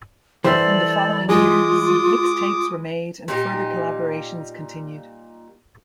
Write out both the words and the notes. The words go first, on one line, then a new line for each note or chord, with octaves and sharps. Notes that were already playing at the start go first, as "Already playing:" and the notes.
In the following years, mixtapes were made and further collaborations continued.
E3 G3 A4 C5 D5
G#3 F4 D6 D#6
A#2 G3 D#4 G4